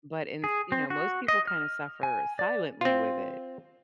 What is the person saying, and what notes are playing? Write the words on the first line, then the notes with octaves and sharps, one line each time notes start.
But in you know, most people kinda suffer silently with it.
G#4
C4
F#4
D#5
F6
G#5
D5
C4 F4